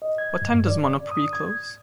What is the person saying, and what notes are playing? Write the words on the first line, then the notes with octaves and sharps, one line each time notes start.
What time does Monoprix close?
D#5
G#6
G2
D5
D#6
G#6